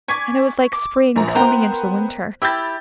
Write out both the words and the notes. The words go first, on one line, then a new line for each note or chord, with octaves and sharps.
And it was like spring coming into winter.
D5 G#5 C#6 G#6 B6
D6
A#1 A#5
B3 A#4 C5 G5 A#5 C6
E4 G4 B5 E6 G6 A6